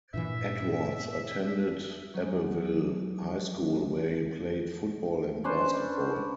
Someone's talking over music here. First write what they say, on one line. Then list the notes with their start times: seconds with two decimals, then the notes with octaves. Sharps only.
Edwards attended Abbeville High School, where he played football and basketball.
0.14 G2 A#2 E3 E5
2.14 F#3 G#3
5.44 C#4 D4 B4 C5